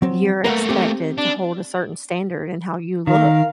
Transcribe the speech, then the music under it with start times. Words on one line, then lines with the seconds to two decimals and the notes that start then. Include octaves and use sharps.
you're expected to hold a certain standard in how you look,
0.02 F#3 C4
0.45 A3 A#3 A#4 B4 F#5
0.69 C4 G4
1.18 D4
3.07 D#3 A#4 F5